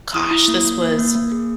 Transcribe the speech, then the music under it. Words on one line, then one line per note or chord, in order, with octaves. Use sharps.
Gosh, this was
E4 D#6
E4
A#3
A#3
A#3
A#3
A#3
G#4